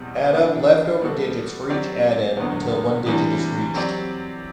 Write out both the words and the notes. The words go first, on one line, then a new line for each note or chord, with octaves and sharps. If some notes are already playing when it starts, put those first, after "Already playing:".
Add up leftover digits for each addend until one digit is reached.
Already playing: E2 B2 G3 C4
E3 B3 D4
G3 B3 F#4 A4
F#3 C4 G4 D5
E2 D3 F#3 B3
C3 E3 G3 D4 F#4
F#3 C4 G4 D5